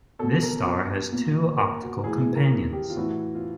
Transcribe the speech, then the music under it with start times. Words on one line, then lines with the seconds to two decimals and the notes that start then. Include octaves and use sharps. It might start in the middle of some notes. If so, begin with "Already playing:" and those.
This star has two optical companions.
0.19 B2 A4
0.43 A#4
1.13 A#2
1.58 A#4
1.81 F#4
2.04 A2 E3 G#4
2.35 A#4
2.73 G4
2.90 F4
2.97 A2 E3 F#4
3.35 F4